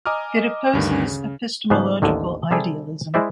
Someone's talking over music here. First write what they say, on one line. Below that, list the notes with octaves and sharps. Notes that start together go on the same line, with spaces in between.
It opposes epistemological idealism.
D#5 G#5 A#5 D6 D#6 F6
D2 G2 D#3
C#3
G#2 C#3 F3 B3 B4 C5
A1 D#2 D3 D#3
C3 G3 G#4 A4
G#3 E4 G#4 C5 D5 E5